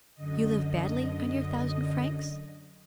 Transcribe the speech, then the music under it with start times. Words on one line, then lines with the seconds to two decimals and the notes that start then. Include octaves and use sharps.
"You live badly on your thousand francs?"
0.14 F#2 D3 D#5